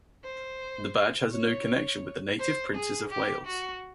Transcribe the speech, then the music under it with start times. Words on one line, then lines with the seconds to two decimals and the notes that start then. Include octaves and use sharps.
The badge has no connection with the native Princes of Wales.
0.24 C5
1.31 C#5
2.39 C5
2.75 G#4
3.11 G4
3.47 F#4